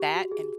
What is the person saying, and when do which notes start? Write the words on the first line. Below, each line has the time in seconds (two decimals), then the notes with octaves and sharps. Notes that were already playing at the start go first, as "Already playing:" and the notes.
That and
Already playing: G4
0.13 F#4
0.32 G#4